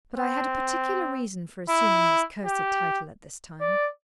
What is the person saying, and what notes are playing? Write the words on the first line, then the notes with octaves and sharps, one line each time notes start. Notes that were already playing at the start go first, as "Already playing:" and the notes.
But I had a particular reason for assuming this cursed title at this time.
C4
E4
G4
D5